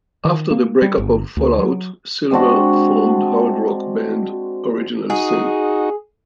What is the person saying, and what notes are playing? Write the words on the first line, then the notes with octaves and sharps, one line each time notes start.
After the breakup of Fallout, Silver formed hard rock band Original Sin.
D#3
A#3
G3
G1
D2
F#3
G#3 C4 D4 F#4
D#4 F#4 G#4